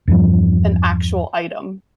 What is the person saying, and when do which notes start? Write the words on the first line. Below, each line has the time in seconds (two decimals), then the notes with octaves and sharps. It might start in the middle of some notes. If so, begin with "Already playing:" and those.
an actual item?
0.07 E2 G2 F3 G3